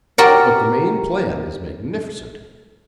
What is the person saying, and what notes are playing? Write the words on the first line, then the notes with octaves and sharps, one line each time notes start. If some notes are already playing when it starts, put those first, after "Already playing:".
But the main plan is magnificent.
F#4 G4 A#4 D5 F#5